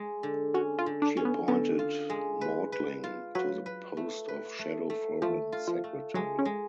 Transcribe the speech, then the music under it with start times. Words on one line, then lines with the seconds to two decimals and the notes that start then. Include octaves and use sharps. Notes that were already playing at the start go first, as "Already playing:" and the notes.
She appointed Maudling to the post of Shadow Foreign Secretary.
Already playing: G#3
0.23 D3
0.54 C#4 F#4
0.79 F4
0.86 D3
1.02 D4
1.17 C#4
1.25 B3
1.48 D3 B3
1.79 F4
2.10 G#3
2.41 B4
2.72 B4
3.04 F4
3.35 F#3 B4
3.66 B4
3.97 A3
4.28 B4
4.59 A3
4.90 A3
5.22 F3 A3
5.52 F4
5.67 F3
5.84 A3
6.14 F#3 G#3
6.39 C#4
6.45 G#3